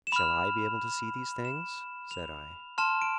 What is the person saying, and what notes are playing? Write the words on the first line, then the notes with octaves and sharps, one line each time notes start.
"Shall I be able to see these things?" said I.
E7
B5 F6 F7
E7
F7
A5 C6 F6 E7
D7